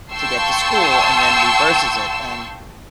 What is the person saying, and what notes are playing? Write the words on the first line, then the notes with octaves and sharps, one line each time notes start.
to get to school and then reverses it and
F5 G5 A5 C6 C#6 E6